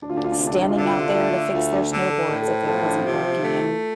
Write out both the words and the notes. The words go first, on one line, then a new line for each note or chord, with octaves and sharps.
standing out there to fix their snowboards if it wasn't working, and
D2 D4
F4
D4
F4
D4
C3 F4
D4
F4
D4
F4
D3 D4
F4
D4
F4
D4
A3 F4
D4
F4
D4
D2 F4
D4
D3 D4
A4
A2 A4
A4
C5
F3 A4
D4
C3 F4
G4
F4
A3